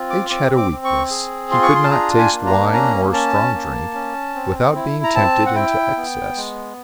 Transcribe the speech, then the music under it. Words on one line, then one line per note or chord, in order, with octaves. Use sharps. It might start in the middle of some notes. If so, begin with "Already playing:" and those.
H-- had a weakness; he could not taste wine nor strong drink without being tempted into excess.
Already playing: C4 F4
D6
C4 D6
D6
C4
C#6
G#4
F4 C6
C#6
C6
A5
D4 A#5
G#5
A#3
A#5
C#4 A#5
C#4 A5
A#3
C#4
C4
E4
A#5
C4 A5
F#5
E4 G5
B3
G#3